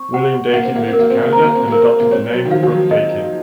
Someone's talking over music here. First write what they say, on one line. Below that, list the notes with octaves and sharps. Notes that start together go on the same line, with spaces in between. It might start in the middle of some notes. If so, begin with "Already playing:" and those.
William Daykin, moved to Canada, and adopted the name Brooke-Daykin.
Already playing: C4 C#6
F#5
A#3 F#5
C4
A#3
C4
A#4
A#3
C4
A#3
C4 A#5
A#3
C4
A#3 A#4
A#3
C4 C#5
F#3
D#3
F3 F5
F3
F#3
D#5